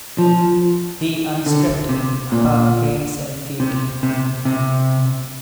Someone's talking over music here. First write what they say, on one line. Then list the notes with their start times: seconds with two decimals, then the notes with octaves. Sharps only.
He unstrapped her hands and feet.
0.18 F3
1.46 D3
1.89 C3
2.32 A#2
3.60 C3
4.03 C3
4.45 C3